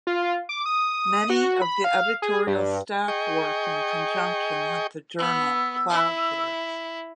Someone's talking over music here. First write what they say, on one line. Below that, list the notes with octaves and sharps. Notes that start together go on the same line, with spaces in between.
Many of the editorial staff work in conjunction with the journal "Ploughshares".
F4
D6
D#6
F#4
B5
F5
G#4
G2
G#4 D#5 G5 C#6
B3 E6
E4